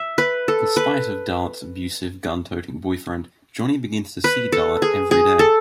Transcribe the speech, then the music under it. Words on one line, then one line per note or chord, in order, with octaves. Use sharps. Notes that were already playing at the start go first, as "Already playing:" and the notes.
In spite of Darlette's abusive gun-toting boyfriend, Johnny begins to see Darlette every day.
Already playing: E5
B4
A4
B4
B4
A4
G#4
G#4
A4